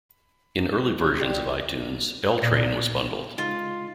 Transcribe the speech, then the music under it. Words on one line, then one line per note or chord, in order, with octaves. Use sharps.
In early versions of iTunes, "L Train" was bundled.
G4 D5
A#2
C#3 G#3 D#4 F4